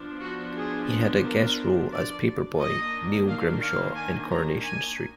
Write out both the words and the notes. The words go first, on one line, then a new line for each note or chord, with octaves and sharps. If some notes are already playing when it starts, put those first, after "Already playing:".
He had a guest role as paperboy Neil Grimshaw in "Coronation Street".
Already playing: F3 B3 D4
F#4
G#4
A#4
D5
D#3 A#3 D4 D#5
F5
F5
G#5
A#5
G#5